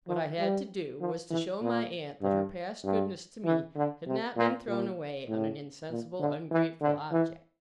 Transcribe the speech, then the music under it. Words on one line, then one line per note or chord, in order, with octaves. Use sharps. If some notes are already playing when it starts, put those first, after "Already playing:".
What I had to do, was, to show my aunt that her past goodness to me had not been thrown away on an insensible, ungrateful object.
F3
G3
F3
E3
A#2
G2
G2
E3
D3
C3
A#2
A#2
A2
A#2
D3
E3
D3
E3